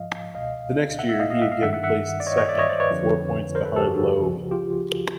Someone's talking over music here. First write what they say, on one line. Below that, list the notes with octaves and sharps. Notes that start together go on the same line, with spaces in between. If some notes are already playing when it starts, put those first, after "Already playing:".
The next year he again placed second, four points behind Loeb.
Already playing: G#2 F3 D#5 F5
C#2 B2 D#5 F5
E5 F#5
E5 F#5
D#5 F5
D#5 F5
E5 F#5
D#5 F5
G2 D#3 E5 F#5
E5 F#5
E5 F#5
D5
C#5 D#5
C#5 D#5
D5 E5
C#5 D#5
C5 D5
B4 C#5
F2 D3 F3
A#4 C5
A4 B4
G4 A4
F#4 G#4
C#2 C#3 F3
F4 G4